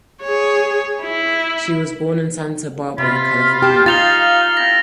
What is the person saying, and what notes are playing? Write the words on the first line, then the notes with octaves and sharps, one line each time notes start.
She was born in Santa Barbara, California.
G#4 C#5
E4
C3 F4 B5
G4 G5 A5
D#4 F4 F5 A6 F7 G7
C4 C#4 E4 A#6